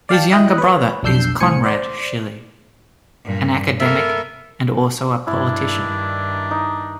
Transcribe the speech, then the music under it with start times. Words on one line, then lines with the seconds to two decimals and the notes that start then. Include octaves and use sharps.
His younger brother is Konrad Schily, an academic and also a politician.
0.09 D5 F5 G5 A5
0.32 E4 D#5 G5 F#6
0.58 B4 C#5
1.03 B1 F2 D4 E6 G6 C7
1.40 C2 A2 C5 G#5 C#7
1.64 C5 D5
3.24 G2 A#2
3.80 A#3 B3 A4 A#4 E5
5.27 G2 D#3 D4 E4
6.51 D#4